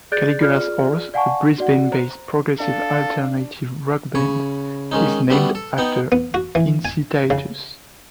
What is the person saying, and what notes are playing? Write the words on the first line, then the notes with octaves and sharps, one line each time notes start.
Caligula's Horse, a Brisbane-based Progressive Alternative Rock band, is named after Incitatus.
G#4 D5 F#6 G6 A6 D7
F4 G#4 D5 F6
D5 F5 F#5 G#5 A5 C#6
F#4 D5 F#5
C5 A#5
D4 A4 F5
C#3 C#5 B5
D#3 G#3 C#4 D#4
G3 A3 B3 D4 F#4
A4
B3 D#4 F#5 G5
B3
F#4
E3
G#5
C#3